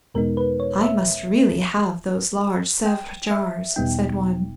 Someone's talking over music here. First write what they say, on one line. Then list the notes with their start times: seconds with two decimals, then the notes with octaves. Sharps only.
"I must really have those large Sevres jars," said one.
0.14 E2 B2 G#3 B3 D#4 A#4
0.37 B4
0.60 C#5
0.82 E5
2.86 G5
3.31 E5
3.76 E2 B2 G3 B3 D#4 G5